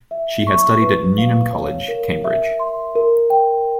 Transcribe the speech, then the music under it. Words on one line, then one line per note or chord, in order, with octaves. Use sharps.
She had studied at Newnham College, Cambridge.
E5
C#6
B4
F5
C#5
A#4
E5
C6
A#4
G5